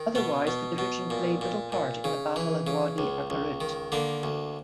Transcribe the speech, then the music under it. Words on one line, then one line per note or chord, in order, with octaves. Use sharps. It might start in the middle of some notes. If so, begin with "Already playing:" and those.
Otherwise the division played little part in the Battle of Wadi Akarit.
Already playing: D#3
B2 B3
B2
B2
A#2
A#2
A#2
C#3
E3
C#3
C#2
C#2
D#3
D3 A#3
D2